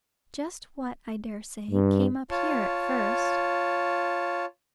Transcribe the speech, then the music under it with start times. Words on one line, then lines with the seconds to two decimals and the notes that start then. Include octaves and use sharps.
Just what, I dare say, came up here at first.
1.71 G2
2.31 F4 C#5 A5